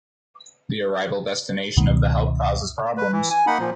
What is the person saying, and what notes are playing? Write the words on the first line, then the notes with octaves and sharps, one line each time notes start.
The arrival destination of the help causes problems.
C#2 F#2 B2 D#3
B4
E3
G#5
A#3 D#4 F#5 B5
A#2 F3